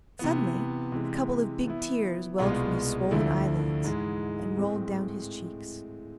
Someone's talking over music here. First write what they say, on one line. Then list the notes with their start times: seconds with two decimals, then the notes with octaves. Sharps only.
Suddenly a couple of big tears welled from his swollen eyelids, and rolled down his cheeks.
0.19 C3 E3 B3
0.92 C3 E3 G#3
1.65 E3 B3 E4
2.38 C2 B2 G#3 B3 F4
3.11 D2 D3 F3 A3 E4
3.84 G#2 E3 G#3
4.57 A2 G#3 C4